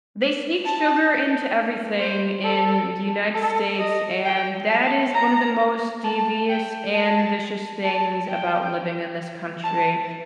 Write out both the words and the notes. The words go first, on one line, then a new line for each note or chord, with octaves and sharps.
They sneak sugar into everything in the United States, and that is one of the most devious and vicious things about living in this country.
A5
C5
A4
A4
D#5
G5
A5
A#5
A5
G5
A5
A5
G5
A5